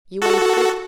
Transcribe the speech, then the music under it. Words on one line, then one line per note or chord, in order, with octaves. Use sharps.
"You ain't fit."
F#4 A4